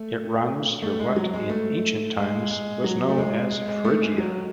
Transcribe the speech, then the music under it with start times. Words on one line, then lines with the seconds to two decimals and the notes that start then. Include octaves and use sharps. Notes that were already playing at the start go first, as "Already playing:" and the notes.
It runs through what in ancient times was known as Phrygia.
Already playing: A3
0.82 A3
1.00 G#3
1.16 F#3
1.34 G#3
1.49 A3
2.17 G#3
2.50 G#3
2.84 F#3
3.09 A3
3.18 G#3
3.51 G#3
3.68 G#3
3.85 A3
4.01 G#3
4.18 F#3